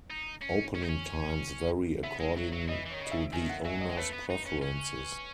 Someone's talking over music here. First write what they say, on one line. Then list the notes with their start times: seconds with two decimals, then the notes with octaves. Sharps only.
Opening times vary according to the owners' preferences.
0.10 D#4
0.41 C#4
0.75 C#4
0.82 D#4
0.89 C#4
2.03 B3 E5
2.20 G#3
2.37 F#3
2.52 F#3
2.68 E3 D#5
2.86 E3
2.90 C#5
2.94 D#3
3.00 C#3
3.05 D#5
3.12 E5
3.33 D#3 G#5
3.49 F#5
3.65 F#3 E5
3.81 D#5
3.89 G#3
3.97 A3 B4
4.13 B3
4.30 D#4
4.46 C#4
4.62 C#4